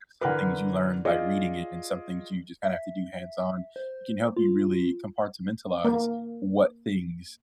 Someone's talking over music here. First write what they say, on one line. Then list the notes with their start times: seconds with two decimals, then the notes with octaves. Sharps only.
There's some things you learn by reading it, and some things you just kinda have to do hands on, it can help you really compartmentalize what things,
0.21 D3 E3 A#4 B4
1.05 F4 G#4 D5 D#5
2.63 E5
3.76 C5
4.37 F4
5.85 A#3 A#4